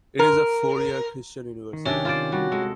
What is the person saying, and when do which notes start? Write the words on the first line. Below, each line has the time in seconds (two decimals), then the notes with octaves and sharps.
It is a four-year Christian university.
0.19 A#4
1.73 D#3
1.86 C3 C#4 D4 G4
2.05 F4 C5 D5
2.32 G3 F#4
2.52 G#3 A4